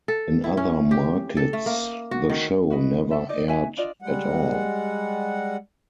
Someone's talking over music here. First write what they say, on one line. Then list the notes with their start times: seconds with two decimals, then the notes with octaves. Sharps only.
In other markets the show never aired at all.
0.08 A4
0.44 E4
0.57 C#4
0.91 G4
1.37 A4
1.53 A3
1.66 A#3
2.11 F#4
2.30 D#3
2.70 F#4 B4 D#5
3.11 A4 E5
3.29 D#4 D5 D#5
3.48 F#4 E5 G#5
3.77 D4 F4 D5 D#5
4.02 G3 G#3 F#5